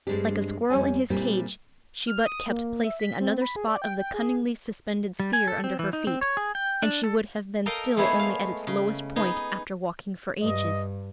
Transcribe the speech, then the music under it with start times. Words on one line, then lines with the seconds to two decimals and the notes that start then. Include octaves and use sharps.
Like a squirrel in his cage she but kept placing another spot of the cunningly suspended sphere under her feet, and she would have been still only at its lowest point after walking for ages.
0.07 G2 G3 G#3 C4 D4 G4
0.70 F2 G3 C#5 G#5
1.10 A#2 G3 C4 E4 G4
2.07 F6
2.26 D#6
2.48 A#3
2.84 E5
3.00 B6
3.20 C4
3.41 B5
3.56 G#4
3.68 D5
3.82 G5
3.99 G5
4.14 G#4
5.20 G3
5.33 G#5
5.48 A4
5.64 C4
5.79 E3
5.93 D#4
6.07 C4
6.21 C#5
6.37 G#4
6.55 G5
6.82 D4
7.04 A4
7.66 A4 A#4 D#5 F5 G5 A#5
7.97 G#3 A3 B3 E4 C5 C#5
8.19 F5
8.67 C#3
9.16 B3 D#4 G#4
10.41 G2 D#5